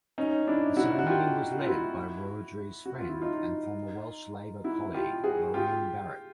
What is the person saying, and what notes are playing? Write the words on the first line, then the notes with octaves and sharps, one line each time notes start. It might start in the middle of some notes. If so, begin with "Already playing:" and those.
The ceremony was led by Rhodri's friend and former Welsh Labour colleague Lorraine Barrett.
C#4 D#4
D4 E4
E4 F#4
F#4
F4 G4
F#4
F4
E4 F#4
F#4
F4
E4
D#4 F4
E4 F#4
F4 G4
F#4 G#4
F4 G4